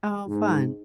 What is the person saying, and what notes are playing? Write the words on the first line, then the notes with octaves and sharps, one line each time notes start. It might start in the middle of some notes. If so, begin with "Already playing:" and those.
Oh, fun.
G#2